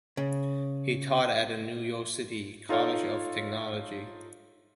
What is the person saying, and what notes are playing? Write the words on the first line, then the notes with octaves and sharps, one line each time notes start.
He taught at the New York City College of Technology.
C#3
D#4 F4 A4 C#5 F5